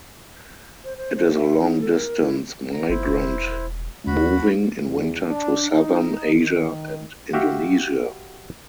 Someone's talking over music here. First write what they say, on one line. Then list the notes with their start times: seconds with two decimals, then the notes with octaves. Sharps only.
It is a long-distance migrant moving in winter to southern Asia and Indonesia.
0.85 C5
0.97 C5
1.16 C5
1.36 E5
1.61 D#4
1.81 A4
1.94 A#4
2.22 E4
2.73 A#5
2.90 G1 E4 C5
3.09 E1
4.07 D#2 F#4 B5
4.88 E2
5.29 D4
5.70 D#4
6.33 D#3
7.33 F#4 G4 E5 F5